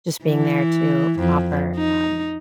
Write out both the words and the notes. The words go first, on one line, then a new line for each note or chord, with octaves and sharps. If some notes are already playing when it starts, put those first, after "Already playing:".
just being there to offer, um,
E3
F2
D#4